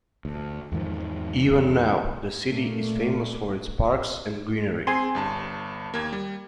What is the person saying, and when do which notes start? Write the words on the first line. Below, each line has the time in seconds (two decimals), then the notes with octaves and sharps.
Even now the city is famous for its parks and greenery.
0.25 D2
0.72 E2 G#2 D#3 F3
2.47 A#2 A3 A#3
4.87 C4 G#4 G#5 C6
5.15 G1 G2 A5
5.94 D#2 A#3 G#6
6.12 G3